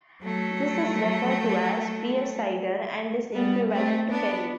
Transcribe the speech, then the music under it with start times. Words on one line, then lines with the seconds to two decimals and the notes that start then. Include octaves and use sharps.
This is referred to as "pear cider," and is equivalent to perry.
0.23 F#3 A3
3.32 G3 B3
3.71 A3 C4
4.10 B3 D4